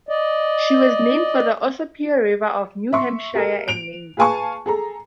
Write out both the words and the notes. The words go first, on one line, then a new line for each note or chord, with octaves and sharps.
She was named for the Ossipee River of New Hampshire and Maine.
D5 D#5
E5 C6 C#6
G4 A4 A#4
D7 F7
G#4 B4 F5 G#5 A5 C#6
G#4 A4 A#5